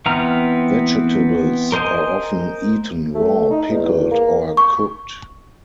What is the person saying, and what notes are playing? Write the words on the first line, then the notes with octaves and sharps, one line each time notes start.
Vegetables are often eaten raw, pickled, or cooked.
E3 B3 C4 A#5 F6
A#4 C5 D#5 G#5
A3
D#4
E2
A#3
C#6